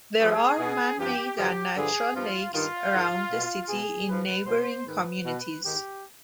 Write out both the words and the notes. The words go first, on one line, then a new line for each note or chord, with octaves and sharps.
There are man-made and natural lakes around the city in neighbouring communities.
G2 F3 G#4
B2
G2 F3 G4
G2 D3 F3 G4
G2 D3 F3 G#4
G2 F3 F4
G2 D#3 F4
G#2 D#3
B2
B2 G#4
G#2 F3 B4
B2 C5
G#2 D#3 B4
B2
G#2 D#3 G4